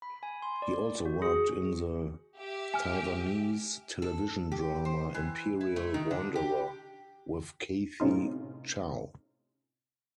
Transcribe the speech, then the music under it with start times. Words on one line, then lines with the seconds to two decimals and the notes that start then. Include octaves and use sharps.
He also worked in the Taiwanese television drama "Imperial Wanderer" with Kathy Chow.
0.02 B5
0.23 G#5
0.42 C6
0.62 D5
1.05 F#4
1.22 G#4
2.38 G4 E5
2.74 G#5 F6
4.02 A4
4.52 G4
4.85 C5
5.14 E3
5.61 E4
5.76 A3
5.94 D#3
6.11 D3
6.36 G4
8.00 A2 C3 C#4 D#4 F4